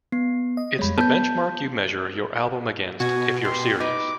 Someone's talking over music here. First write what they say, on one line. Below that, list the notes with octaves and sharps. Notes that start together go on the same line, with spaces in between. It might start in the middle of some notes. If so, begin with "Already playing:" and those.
It's the benchmark you measure your album against if you're serious.
B3 C7
D#5
F2 G3 G#3 C#5 B5
B3 A5 G6
B2 F#4 G#5
G4 C6
D#4 B4 D6